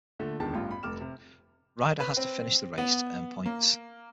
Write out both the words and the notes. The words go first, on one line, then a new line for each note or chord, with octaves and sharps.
Rider has to finish the race to earn points.
A#2 D3 A3
E1 C#2 D#3 G#3 D4 A5
A1 G2 F4
B5
F1 D6 F6 E7
C3
B4
C4
B3
A#3